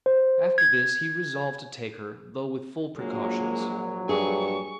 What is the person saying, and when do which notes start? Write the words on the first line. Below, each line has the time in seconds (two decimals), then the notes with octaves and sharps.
After this he resolved to take her, though with full precautions.
0.06 C5
0.58 G#6
2.96 A#1 F#3 G#3 A#3
4.09 G2 G#4 C#6